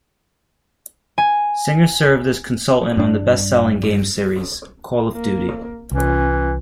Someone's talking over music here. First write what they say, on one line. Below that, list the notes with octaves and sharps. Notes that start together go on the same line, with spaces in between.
Singer served as consultant on the bestselling game series "Call of Duty".
G#5
G2 D4
A#3
C2 E3 C#4 F4